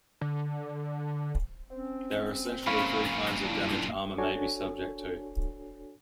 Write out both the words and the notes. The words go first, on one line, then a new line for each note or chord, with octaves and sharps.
There are essentially three kinds of damage armor may be subject to.
D3
C4 C#4
F#2 A#2 F5 B5 C#6
D4 E4
D4 F#4 A4 C#5 G#5